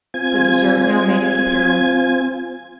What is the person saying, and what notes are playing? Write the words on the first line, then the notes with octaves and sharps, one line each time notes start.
The dessert now made its appearance.
C4 F4 G#5 G#6